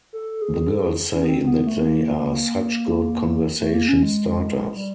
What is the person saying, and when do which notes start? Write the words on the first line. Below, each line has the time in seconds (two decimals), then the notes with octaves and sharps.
The girls say that they are such good conversation starters.
0.13 A4
0.42 G#4
0.70 A4
0.85 G#4
1.14 C#4
1.24 B3
1.28 C4
1.42 C4
1.47 B3
1.67 A3
1.82 B3
1.87 A#3
3.60 A3
3.74 A#3
3.88 C#4
4.03 G#3
4.76 G3